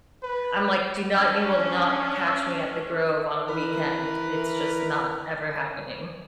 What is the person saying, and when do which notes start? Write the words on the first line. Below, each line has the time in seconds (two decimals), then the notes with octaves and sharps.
I'm like, "Do not" you will not catch me at the Grove on a weekend, it's just not ever happening.
0.23 B4
1.15 C#4 D4 G5 E6 G#6
2.27 E6
3.49 E3 A#4 B4